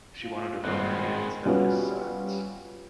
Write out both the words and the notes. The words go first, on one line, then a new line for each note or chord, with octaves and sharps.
She wanted to run her hands down his sides.
F4
G#1 G2 G#3 B3 C4 F#6
G3 B3 C#4 F4 F#4